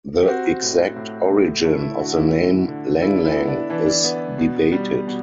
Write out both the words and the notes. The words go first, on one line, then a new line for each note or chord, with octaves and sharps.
The exact origin of the name Lang Lang is debated.
G4
C4 F#4
A2
A2
A2
A3 E4
E4
D3 F#4
E4
D3
D3
D4 E4
E4
B3
D4
E3 D4
D4
B3
B2
G3
B2